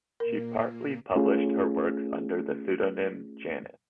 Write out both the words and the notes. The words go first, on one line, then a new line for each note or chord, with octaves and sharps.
She partly published her works under the pseudonym "Janus".
A#2 A#3 A#4
A3 C#4 F4 G#4